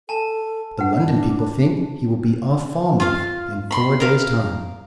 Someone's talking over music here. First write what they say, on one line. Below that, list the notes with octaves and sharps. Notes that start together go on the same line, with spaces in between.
The London people think he will be off Falmouth in four days' time.
A4 G#5 A5
D4 B4 F#5
F4 F5
B5 C6
A#4 F5